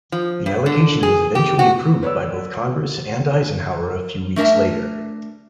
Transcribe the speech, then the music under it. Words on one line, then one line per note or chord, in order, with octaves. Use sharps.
The allocation was eventually approved by both Congress and Eisenhower a few weeks later.
F3
G2
D3
G#4
G4
F#4
B4 C#5 D5 E6
A3 D4 A#4 E5 A5